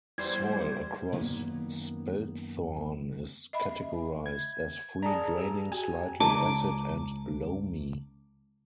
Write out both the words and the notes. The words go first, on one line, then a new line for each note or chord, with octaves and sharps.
Soil across Spelthorne is categorised as "free draining slightly acid and loamy".
E2 G3 C5 G#6
F#2 D#3 A#3 B3
D#5 E5 B5
G#6
G#4 D5 A5 A#5
G4
F#4 G5 G#5
C#2 A5 A#5 D6